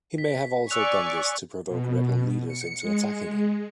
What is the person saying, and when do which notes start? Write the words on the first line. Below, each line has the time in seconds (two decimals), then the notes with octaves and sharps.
He may have also done this to provoke rebel leaders into attacking him.
0.18 B6
0.70 D5 G#5 C#6 E6 F#6 F7
1.68 B2
2.48 C#7
2.82 G#3